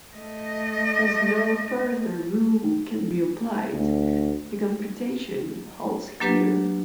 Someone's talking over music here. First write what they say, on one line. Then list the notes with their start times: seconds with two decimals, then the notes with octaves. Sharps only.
As no further rule can be applied, the computation halts here.
0.15 A3 D#5
3.73 D2
6.20 F#3 A#3 D4 G4 B4